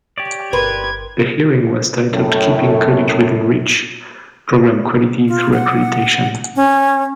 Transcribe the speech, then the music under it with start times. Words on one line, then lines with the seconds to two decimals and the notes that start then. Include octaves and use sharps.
The hearing was titled Keeping College Within Reach: Program Quality through Accreditation.
0.18 G4 C#5 D5
0.53 G1 A#4 B4 C6 G#6
2.12 F#2 A2
5.28 F4
5.53 F#5
6.56 C#4